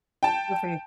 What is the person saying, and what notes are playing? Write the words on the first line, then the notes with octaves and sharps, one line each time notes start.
Good for you.
G5 A5